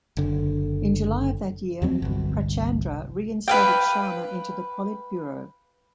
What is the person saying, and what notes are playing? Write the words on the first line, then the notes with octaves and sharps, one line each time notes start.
In July of that year Prachandra reinstated Sharma into the politburo.
F#1 D3
E2 F3 F#3 C4
G1 C2
B4 F5 G5